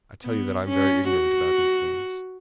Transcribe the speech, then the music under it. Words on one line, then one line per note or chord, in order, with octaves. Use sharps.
"I tell you that I am very ignorant about these things."
B3
C#4
F#4